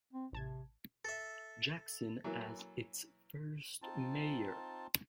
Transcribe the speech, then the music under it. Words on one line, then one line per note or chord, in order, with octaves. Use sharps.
Jackson as its first mayor.
C4
A1 C3 A5 G#6
A4 E5
E3 F#3 A#3
C4 D#4 F4 A5